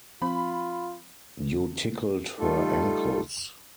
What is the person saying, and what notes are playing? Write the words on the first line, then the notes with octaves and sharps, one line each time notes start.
You tickled her ankles.
F3 C4 F4 B5
G3 A3 D#4 F4 A4